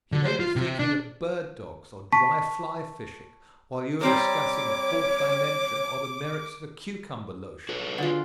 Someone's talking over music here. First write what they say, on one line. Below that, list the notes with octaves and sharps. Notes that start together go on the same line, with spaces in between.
He may be thinking of bird dogs or dry fly fishing while you are discussing the fourth dimension, or the merits of a cucumber lotion.
D3
C5
F4
C3
D4
A5 C#6 B6
G3 C4 A#4 C#5 D6
F#4 A4 B4
D3 G#3 F4